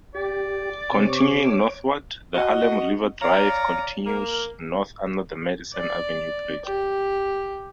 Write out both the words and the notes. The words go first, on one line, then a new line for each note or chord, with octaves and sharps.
Continuing northward, the Harlem River Drive continues north under the Madison Avenue Bridge.
G4 D5
C3 C#5 D6
F#4 D#5
C#5 D5 F5 A#5
A#3 A#4
D5
G4